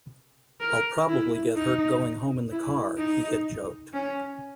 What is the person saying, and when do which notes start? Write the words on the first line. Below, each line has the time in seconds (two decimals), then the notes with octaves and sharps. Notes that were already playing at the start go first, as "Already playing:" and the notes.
"I'll probably get hurt going home in the car," he had joked.
0.61 A#4
1.08 E4
1.56 D#4
2.51 E4
2.98 D#4
3.94 C#4